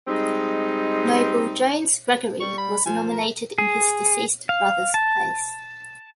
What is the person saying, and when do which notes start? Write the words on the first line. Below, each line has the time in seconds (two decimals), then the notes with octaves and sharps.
Noble Jones Gregory was nominated in his deceased brother's place.
0.08 G3 G#3 C4 D#4
2.41 G3 C#6
2.58 B5
2.86 F3 G#5
3.11 A#4
3.58 G#4
4.49 F5
4.94 A5